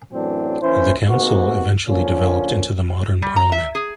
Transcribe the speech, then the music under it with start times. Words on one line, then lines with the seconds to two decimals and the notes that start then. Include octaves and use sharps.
The Council eventually developed into the modern Parliament.
0.13 F#2 A2 E3 F#3 C4 D4
0.62 D#2 E3 C#4 E4 C5
1.08 G#2 C3 A#3 B3 F#4
1.88 A#2 D3 F3 A#3 C#4
3.22 G3
3.36 A#5
3.52 E5
3.75 G#4